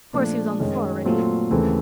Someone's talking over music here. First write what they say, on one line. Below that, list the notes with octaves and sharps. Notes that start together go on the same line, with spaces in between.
Of course he was on the floor already.
A#2 F3 A3 D4
F#2 D#3 G#3 C#4
A#2 F#3 A3 C4 F4
D#2 C#3 E3 A3 C4